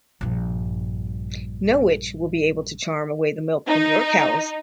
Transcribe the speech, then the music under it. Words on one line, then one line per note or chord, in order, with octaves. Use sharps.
No witch will be able to charm away the milk from your cows.
A#1 G2
D#4